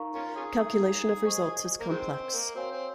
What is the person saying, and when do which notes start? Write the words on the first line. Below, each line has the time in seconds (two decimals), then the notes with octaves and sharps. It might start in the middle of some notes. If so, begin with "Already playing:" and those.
Calculation of results is complex.
Already playing: D#4 A#4 F5 A#5 C#6
0.15 A#3 C#4 F4
0.36 C#4 F4 G#4
1.24 C5 D#5 G#5 C#6
1.80 A#3
1.90 D#3 G#3 C4
2.12 C4
2.33 A#3
2.55 C4 F#4 C#5 F5 G#5 C6
2.71 C4